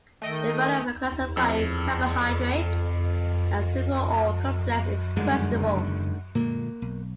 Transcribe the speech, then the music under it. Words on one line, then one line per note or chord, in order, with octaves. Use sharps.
The value of classifying carbohydrates as simple or complex is questionable.
D#3 A3 D#5 G5
F2 E6
D2 G2 D3 D#3 F#3 G#3
F#1 E2
A#2 D3 G#3 A#3
B1